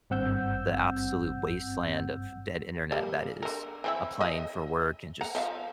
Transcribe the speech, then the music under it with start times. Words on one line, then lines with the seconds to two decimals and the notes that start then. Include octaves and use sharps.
the absolute wasteland of dead Internet that is applying for work and just
0.10 G#1 G2 C4 F#5 E6 G6
2.92 G3 A#3
3.43 D3 A#4
3.84 E3 C4 E4
4.21 D#5
5.21 F#5 A#5
5.35 F3 E5 F5